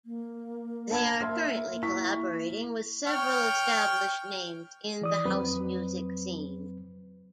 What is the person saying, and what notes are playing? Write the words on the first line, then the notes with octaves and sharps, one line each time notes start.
They are currently collaborating with several established names in the house music scene.
A#3
A5 B5 G#6
E5 C6 F6
E4 C#6 B6
C#5 G5 F6
E3 D5 D#6
F2 F#3 C4 B4